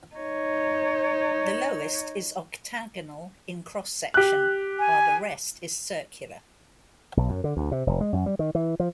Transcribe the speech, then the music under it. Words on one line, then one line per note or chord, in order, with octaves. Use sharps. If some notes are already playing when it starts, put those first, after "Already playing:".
The lowest is octagonal in cross section while the rest is circular.
D#4 C#5
G4 F#6
G#5
B1
F#2
D3
D2
C3
F1
G#3
F#2
G3
D#3
E3
F3